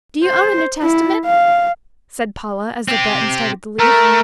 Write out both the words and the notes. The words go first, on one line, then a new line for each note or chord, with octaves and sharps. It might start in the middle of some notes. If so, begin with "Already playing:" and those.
"Do you own a New Testament?" said Paula as the Breton started to leave.
C5
E4
F5
C4 G4
A3 A#4